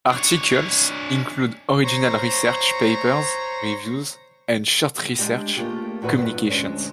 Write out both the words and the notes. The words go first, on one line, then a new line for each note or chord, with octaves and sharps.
Articles include original research papers, reviews, and short research communications.
D4 C#5
C5 C#5 A#5 C#6
G#3 D4 G4 G5
A3 A#3 D#4 F4 G4 G#4
E2 A#2 F#4 B4 G5
G2 A#2 E3
D2 G#3 C#4 D4